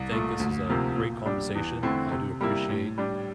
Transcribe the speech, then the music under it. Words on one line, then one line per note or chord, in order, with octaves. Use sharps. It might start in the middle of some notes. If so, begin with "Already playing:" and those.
think this was a great conversation. I do appreciate
Already playing: C2
A#2 A3
D2
C3 F3 A#3
A#2
G3 D4
E2
D3 A3 C4 E4
C3
G3 A#3 E4
A2
G3 D4